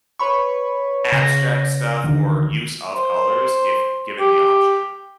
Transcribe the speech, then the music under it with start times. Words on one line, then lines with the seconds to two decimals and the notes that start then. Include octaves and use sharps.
abstract stuff or use of colors if given the option.
0.19 B4 C#5 B5 C#6
1.12 C#3 A#6
2.04 D2 D3 D#3
2.96 C5
4.20 G4